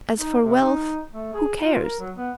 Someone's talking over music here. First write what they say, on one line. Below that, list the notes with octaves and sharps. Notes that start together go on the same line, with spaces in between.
As for wealth, who cares?
D#4
C3
D#4
A3
G#4
F4
A#4
F#3
B3